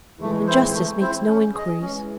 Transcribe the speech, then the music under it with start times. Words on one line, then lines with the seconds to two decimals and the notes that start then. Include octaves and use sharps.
And justice makes no inquiries.
0.21 E3 G#3 A3
0.47 C4 E4 C5
0.74 A3
1.01 C4 E4 C5
1.28 C#4
1.54 G#4 D#5
1.80 E3 G#3 C#4